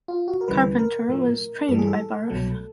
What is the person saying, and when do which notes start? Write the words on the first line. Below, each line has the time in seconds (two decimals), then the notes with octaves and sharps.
Carpenter was trained by Barth.
0.08 F4
0.28 F#4
0.41 A#4
0.48 D2 C#3 E3 G3 B4
0.79 A#4
1.09 A2 F3 A3
1.68 G2 E3 G3 A4
1.79 G#4
1.87 A4
2.30 C2 B2 F#3 A3